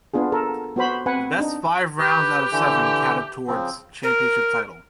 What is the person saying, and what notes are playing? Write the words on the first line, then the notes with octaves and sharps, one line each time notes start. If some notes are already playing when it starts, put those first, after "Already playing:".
Best five rounds out of seven counted towards championship title.
B3 D4 F4 G#4
A4 A#4
B3 F#4 C5 B5
C4 B4 F#5 G#5
D4 D#4
G4 B4
D3 E3
C#3 F3 C4
A#4